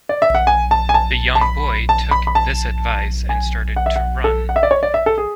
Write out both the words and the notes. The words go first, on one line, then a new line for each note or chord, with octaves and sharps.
The young boy took this advice and started to run.
D5
E5
F#5
G#5
A5
G#5
A5
A5
B5
A5
B5
B5
A5
G#5
F#5
E5
F#5
A4
F#5
E5
D5
C#5
D5
E5
A4
G#4